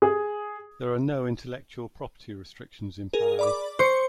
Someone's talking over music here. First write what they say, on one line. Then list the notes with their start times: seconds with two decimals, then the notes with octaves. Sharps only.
There are no intellectual property restrictions in Palau.
0.02 G#4
3.13 G#4 A#4
3.39 D5 B5 D6
3.79 C5 C#6 C#7